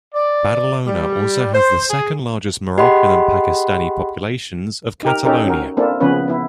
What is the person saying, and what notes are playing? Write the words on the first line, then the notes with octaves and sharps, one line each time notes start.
Badalona also has the second-largest Moroccan and Pakistani populations of Catalonia.
D5
G3
C5
G#4
G4 G#4 D#5 F#5 B5 C6
D#4 G4 A#4
C#4 D#4 G4 A4 A#4
C#4 F#4 A#4
A#3 C4 D4 E4 A4
C#3 F3 B3 C#4 B4
B3 E4